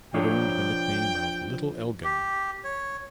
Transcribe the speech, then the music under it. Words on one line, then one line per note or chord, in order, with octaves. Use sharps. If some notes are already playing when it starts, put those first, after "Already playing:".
It earned the nickname of "Little Elgin".
F3 D4 C#5 G5
G4
C#5